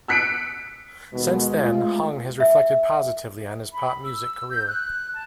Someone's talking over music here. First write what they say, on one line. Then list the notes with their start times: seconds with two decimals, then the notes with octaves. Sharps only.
Since then, Hung has reflected positively on his pop music career.
0.08 E6 F#6 B6 C#7 D7
1.12 D#2 B2 G#3
1.57 A3 C4 F4
2.40 E5
3.73 B5
4.02 E6
4.50 G6
4.67 F#6
5.12 A5